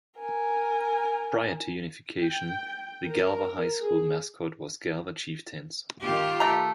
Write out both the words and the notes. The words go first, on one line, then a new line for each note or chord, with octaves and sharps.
Prior to unification, the Galva High School mascot was Galva Chieftains.
A#4 G#5
G5
A#4
G#4
D#3 F4 G4
A3 A#5